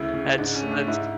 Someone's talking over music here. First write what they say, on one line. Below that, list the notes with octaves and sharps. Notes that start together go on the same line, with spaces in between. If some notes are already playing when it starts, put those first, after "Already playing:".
That's that's,
Already playing: D2 C#3 E4
C#3
G#2 D4
C#4
A3
D4
G#2 E4